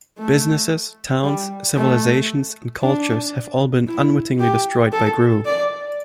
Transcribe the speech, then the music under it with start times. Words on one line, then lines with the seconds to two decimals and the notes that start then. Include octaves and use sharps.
Businesses, towns, civilizations and cultures have all been unwittingly destroyed by Groo.
0.18 A3
1.23 G3
1.76 A3
2.82 D4
3.87 E4
4.40 G4
4.92 A4
5.45 D5